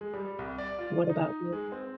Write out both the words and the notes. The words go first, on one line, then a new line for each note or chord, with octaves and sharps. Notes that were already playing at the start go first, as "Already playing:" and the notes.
what about you?
G#3
G3
C2
D5
F4
D#4
G#3
C4